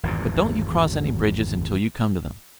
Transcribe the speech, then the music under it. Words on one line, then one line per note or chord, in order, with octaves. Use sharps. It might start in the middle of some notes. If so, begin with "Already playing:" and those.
But don't you cross any bridges until you come to them.
G#1 E2 G2 A#2